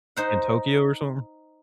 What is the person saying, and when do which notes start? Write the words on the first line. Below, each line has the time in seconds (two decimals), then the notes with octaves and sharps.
in Tokyo or something?
0.16 D#4 C5 F#5